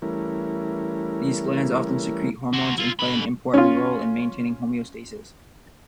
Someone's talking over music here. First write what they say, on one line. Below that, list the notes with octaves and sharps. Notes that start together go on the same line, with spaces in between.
These glands often secrete hormones, and play an important role in maintaining homeostasis.
E3 G3 A3 C#4 E4 A#4
F#4 C5
E4 F4
D3 B5
C#4 F4